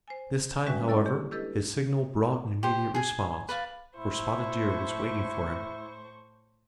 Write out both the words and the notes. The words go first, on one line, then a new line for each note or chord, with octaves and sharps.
This time, however, his signal brought an immediate response, for Spotted Deer was waiting for him.
C5 G#5
G3 G#3 C#4 F#4 B4 E5
E4 A4 D5 C#6 D6
A#3 G4
D4 E4 G4 A4 B4 D#5
G4 C5
G#4 G#5
B4 D5 F5
A2 E4 C5 C#6